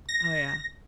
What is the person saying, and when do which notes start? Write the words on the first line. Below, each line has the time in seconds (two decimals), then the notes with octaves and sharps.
Oh, yeah.
0.09 A#6